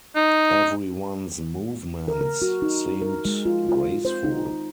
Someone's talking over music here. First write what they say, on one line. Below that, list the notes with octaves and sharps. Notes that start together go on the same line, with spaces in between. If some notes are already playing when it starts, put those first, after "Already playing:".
Everyone’s movements seemed graceful.
D#4
A#4
A#4
F#4
D#4
A#4
G#3
F4
F4
C5
D#4